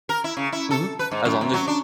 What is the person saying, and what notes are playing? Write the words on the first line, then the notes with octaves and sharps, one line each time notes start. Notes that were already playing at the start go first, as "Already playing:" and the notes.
Mhm, as long as y
A#4
E4
C#3
E4
A4
B4
G#2
F#2
F#2
F#3
D4